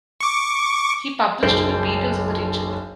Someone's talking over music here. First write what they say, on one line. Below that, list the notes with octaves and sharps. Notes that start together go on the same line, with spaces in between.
He published on the beetles of the region.
C#6 D6
F#1 B1 C5 G6 D7